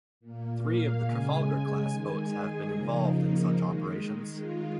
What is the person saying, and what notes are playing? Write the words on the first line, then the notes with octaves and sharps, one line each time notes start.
Three of the "Trafalgar"-class boats have been involved in such operations.
A#2 A#3
F5
C#3 G#3 G#5
D#3 G#3 G#5
G#4
C#3 F3 A#3 D#4
D#4
D#3 G#3
D#3 G#3 F4